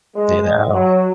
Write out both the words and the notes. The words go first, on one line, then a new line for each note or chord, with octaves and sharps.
You know?
G#3
F#3